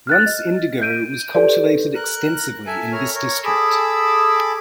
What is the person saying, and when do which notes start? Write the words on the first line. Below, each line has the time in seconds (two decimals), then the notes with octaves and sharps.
Once indigo was cultivated extensively in this district.
0.07 F6 F#6 A6
0.26 D#5
0.82 G6 D7 D#7
1.35 G4 A4 B4 D5
1.95 A#4 F#6
2.67 A4 E5 G#5
2.92 A#4 C#5 F6
3.15 A#4 C#5
3.45 G#4 A4 B5 D6 E6